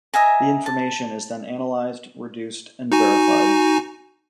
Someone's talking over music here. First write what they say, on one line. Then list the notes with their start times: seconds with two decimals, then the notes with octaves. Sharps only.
The information is then analyzed, reduced, and verified.
0.14 D#5 E5 G#5 A#5
0.66 A5
2.92 D#4 F#4 G#5